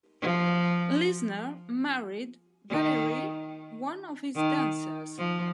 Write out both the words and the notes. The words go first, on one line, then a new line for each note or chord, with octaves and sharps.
Lisner married Valerie, one of his dancers.
F3
D#3
D#3
F3